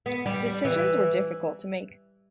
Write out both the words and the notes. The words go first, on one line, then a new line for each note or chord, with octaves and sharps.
Decisions were difficult to make.
B3
G3
G3
E3